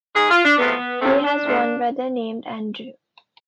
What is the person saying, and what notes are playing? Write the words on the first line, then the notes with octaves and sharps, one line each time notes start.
He has one brother named Andrew.
G#2 G#3 G#4
F4
D4
E2 C3 F3 A3 B3
E2 C3 F3 A3 C4
D4
E2 C3 F3 A3